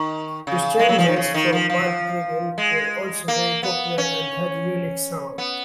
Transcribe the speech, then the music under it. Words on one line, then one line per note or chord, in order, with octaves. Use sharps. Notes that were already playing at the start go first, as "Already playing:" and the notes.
The Strangers from Balbriggan were also very popular and had a unique sound.
Already playing: D#3
C#3
G#3
F#3
F3
D#3
C#3
D#3
F3
F3
G#3
A#3
B3
C#4
B3